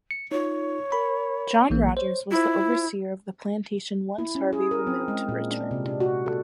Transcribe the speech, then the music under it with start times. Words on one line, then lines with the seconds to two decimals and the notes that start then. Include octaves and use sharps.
John Rogers was the overseer of the plantation once Harvie removed to Richmond.
0.11 C#7
0.31 D#4 F4 C#5
0.92 A#4 B5
1.70 A#1 E3 A#3
1.97 C5 C#5
2.31 E4 F4 C5
4.18 E4
4.35 C#4
4.53 G#4
4.71 A#4
4.87 C4
5.08 G#3
5.29 A#2
5.51 D4
5.71 C3
5.86 D4
6.00 F#4
6.26 A4